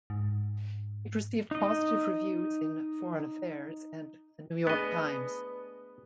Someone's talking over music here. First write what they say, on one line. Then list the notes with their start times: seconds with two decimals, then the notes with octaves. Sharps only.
It received positive reviews in "Foreign Affairs" and "The New York Times".
0.10 G#2
1.51 D#4 D#5
4.67 A3 B3 D4 G#4 B4 D#5